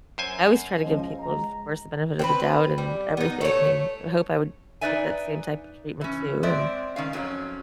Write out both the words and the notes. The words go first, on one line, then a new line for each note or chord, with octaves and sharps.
I always try to give people, of course, the benefit of the doubt and everything, and I hope I would get that same type of treatment, too. And
F#2 C5 G#5
C#2 C#3 F3 D#5
G#3 A#5
C4 D4 B4
G3
B3 D#4
A3 C#5
D#4 F#4 B4 D5 E5 G#5
E3 C#4
G#3 C4 D5 E5
D#3 C#4 F5
F2 F#3 B3 C#4